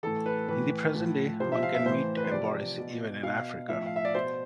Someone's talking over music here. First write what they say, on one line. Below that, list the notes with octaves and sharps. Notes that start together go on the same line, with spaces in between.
In the present day, one can meet a Boris even in Africa.
A2 E3 A4
B4
A2 E3 B4
A2 F3
C3 F3 C5
E5
F5
E5
A2 E3 C5
B4
C5
C3 F3 D5
B2
B2 F5
A2 F3 E5
F5
E5
D5
B2 C5